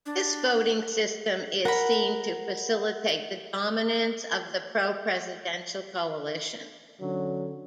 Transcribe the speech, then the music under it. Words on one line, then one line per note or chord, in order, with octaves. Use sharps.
This voting system is seen to facilitate the dominance of the pro-presidential coalition.
D4
A#4 F#5 B5
D3 F#3 C#4